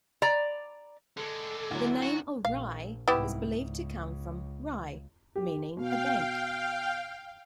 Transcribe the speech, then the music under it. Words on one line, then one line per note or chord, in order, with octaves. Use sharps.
The name of Rye is believed to come from "rie" meaning a bank.
D5 A#5
D3 G#3 A4
D2 F#3 E4
F#4
A#1 F5
C2 G#2 B3 E4 G4
C#2
G4
B2 F5 G5